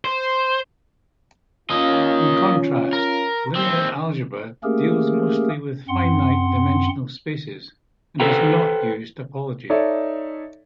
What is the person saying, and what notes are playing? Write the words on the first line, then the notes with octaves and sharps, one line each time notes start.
In contrast, linear algebra deals mostly with finite-dimensional spaces, and does not use topology.
C5
A#3 C#4 F4 D#5
A#4
D#2 C4
A3 A#3 C#4 G4 G#4 A#4
F#2 C4 F#5 C6
A4 B4 C5 G5 A#5
D#4 A4 C#5 D5 E5